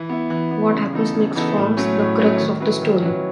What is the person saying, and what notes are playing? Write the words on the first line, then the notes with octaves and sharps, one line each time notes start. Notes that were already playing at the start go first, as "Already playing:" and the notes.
What happens next forms the crux of the story.
Already playing: E3
B3 E4
E3
B3 E4
C#3
E3 B3 D#4 A4
C#3
E3 B3 D#4 A4
A2
F#3 A3 C#4
A2
F#3 A3 C#4
D#3
F#3 C#4 E4 B4
D#3
F#3 C#4 E4 B4